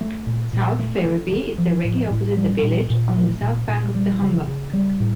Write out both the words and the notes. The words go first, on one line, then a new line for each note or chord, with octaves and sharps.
South Ferriby is directly opposite the village, on the south bank of the Humber.
A3
A#2
A#2
A3
D3
D3
F3
A2
A2
G3
A#2
A#2
A3
A#2
A#2
G3
C#3
C#3
G3
A2